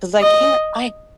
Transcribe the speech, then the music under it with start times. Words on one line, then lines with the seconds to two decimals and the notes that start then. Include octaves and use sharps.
'Cause I can't, I
0.22 D#5